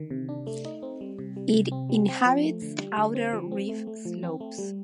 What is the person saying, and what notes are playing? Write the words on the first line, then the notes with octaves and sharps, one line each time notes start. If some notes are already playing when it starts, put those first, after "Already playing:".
It inhabits outer reef slopes.
Already playing: D3 D#3
C3
D4
A3
D#4
C4
G3
C3
G3
C3
C4
G3
C4
F3
A3
D3
G3
D3
C4
F3
C4
A3
A3
F3
C4
A3
G3